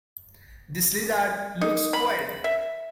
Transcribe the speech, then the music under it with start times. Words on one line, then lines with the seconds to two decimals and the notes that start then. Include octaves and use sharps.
This lizard looks weird.
1.61 D#4
1.93 B5
2.44 E5